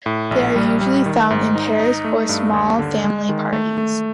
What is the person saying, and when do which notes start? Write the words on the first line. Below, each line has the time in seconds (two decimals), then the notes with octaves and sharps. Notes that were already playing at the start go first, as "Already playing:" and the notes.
They are usually found in pairs or small family parties.
0.06 A2
0.31 A#1
0.56 G3
0.81 G3
1.06 D#3
1.30 G#2
1.56 D#4
1.79 D#4
2.05 A3
2.29 G2
2.54 D#2
2.79 D3
3.04 G#3
3.29 D#3
3.53 A3
3.78 A3